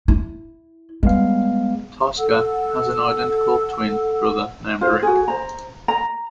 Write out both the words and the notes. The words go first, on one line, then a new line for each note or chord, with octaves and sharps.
Tosca has an identical twin brother named Rick.
E4
G3 G#3 B3 F5
A4 F#5 E6
F4 C5
F#4 G#4
C5 A#5
A#5